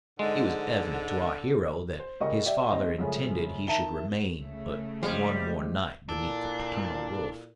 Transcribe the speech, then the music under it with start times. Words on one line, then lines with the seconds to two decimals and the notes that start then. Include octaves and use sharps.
It was evident to our hero that his father intended he should remain but one more night beneath the paternal roof.
0.19 G#2 D3 G#3
1.99 C5
2.21 C#2 C#3 G4 A#4 D#5 C#6
2.46 G4 D5 E5
2.72 D#2 C4 D#5
2.98 F#2 C#3 F3 G#3 A3
3.67 D#3 E5 A5 A#5 G7
4.40 C#3 A3
5.03 F3 G3 G#3
6.09 A#2 D4 E4 A4